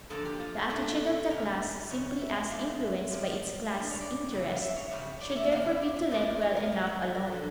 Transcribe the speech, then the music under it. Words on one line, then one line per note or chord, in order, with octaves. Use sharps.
The attitude of the class, simply as influenced by its class interest, should therefore be to let well-enough alone.
D3 F3 A#3 A4
G4
F4
A#2 A3 D4 A4
D3 A3 C#4 A#4
F2 C#3 C#5
E5
G5
A#2 A3 D4 F5
E5
A#2 F3 A#3 C#4
A2 G3 D4
C#5
D5
F2 C#3 E3
F5
E5
C#5
F2 C#3 G3
D5
E5
F2 D3 G3 C#4 F5
E5
D5
E5
G2 F3 A#3 D5
D5
C#5
A#4
A#2 F3 A#3 C#4 G4
G4
A4
A#4
A4
A#2 G3 D4